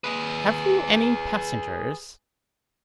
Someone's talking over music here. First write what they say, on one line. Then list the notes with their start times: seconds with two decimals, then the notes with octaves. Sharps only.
"Have you any passengers?"
0.04 G#4 B4